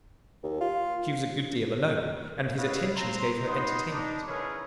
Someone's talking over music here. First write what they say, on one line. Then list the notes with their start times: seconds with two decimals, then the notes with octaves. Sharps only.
She was a good deal alone, and his attentions gave her entertainment.
0.44 D#2
0.61 F4
2.57 E4 F#4 B4 C#5 D#5 F5
2.96 C4 A#5 C6
3.47 B3 D#4 C6
3.91 D4 D#4
4.27 C#4 E4 G#4 A#4 B4 C#5